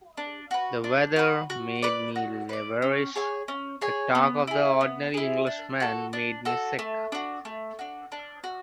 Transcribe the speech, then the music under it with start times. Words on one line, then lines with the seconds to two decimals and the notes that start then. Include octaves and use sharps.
The weather made me liverish, the talk of the ordinary Englishman made me sick.
0.17 D4
0.51 F#4 B4
0.84 D4
1.16 F#4 B4
1.50 F#4
1.83 B4 D5
2.16 F#4
2.49 B4 D5
2.82 C#4
3.15 G#4 C#5 G#5
3.48 C#4
3.81 G#4 C#5 G#5
4.15 B3
4.47 E4 G#4
4.81 B3
5.14 E4 G#4
5.47 D4
5.80 F#4 A4
6.13 D4
6.45 F#4 A4
6.79 A3
7.12 D4 F#4
7.45 A3
7.79 D4 F#4
8.12 D4
8.44 F#4